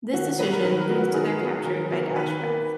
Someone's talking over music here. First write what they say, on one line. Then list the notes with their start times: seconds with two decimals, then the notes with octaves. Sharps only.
This decision leads to their capture by Dashrath.
0.13 D#3 F#4
0.26 F#4
0.38 F#3 B3 B4
0.52 A#4
0.64 D#3 B4
0.81 A#4
0.90 F#3 B3
0.98 F#4
1.14 D#3 G#4
1.40 F#3 B3
1.65 D#3 A#4
1.90 F#3 B3
2.16 D#3 B4
2.41 A#3